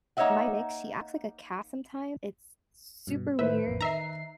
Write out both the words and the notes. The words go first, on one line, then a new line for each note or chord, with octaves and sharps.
my mix, she acts like a cat sometimes, it's super weird
A#3 D#4 C#5 D#5 E5 F#5
G2 B2
A2 D#3 A3 B4 C5 E5
A1 F2
D#3 D#4 E5 A#5 C7